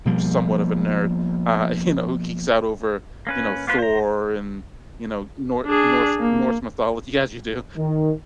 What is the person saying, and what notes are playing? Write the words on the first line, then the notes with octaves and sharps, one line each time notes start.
somewhat of a nerd, uh, you know, who geeks out over, you know, Thor and, you know, Nor Norse Norse mythology as you do
B2 F3 G3 A#3
A#3 C#4 B4
A#3 B3 F4 B4 C5
C5 A#5
D4 G#4
A#3
D#3